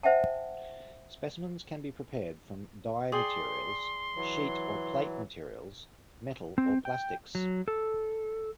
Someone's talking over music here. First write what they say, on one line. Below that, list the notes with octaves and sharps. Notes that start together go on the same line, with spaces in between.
Specimens can be prepared from die materials, sheet or plate materials, metals or plastics.
C5 E5 F#5 G5 A5
G#4 D5 G5 C6
E3 F#3
C4
G5
F#3
A4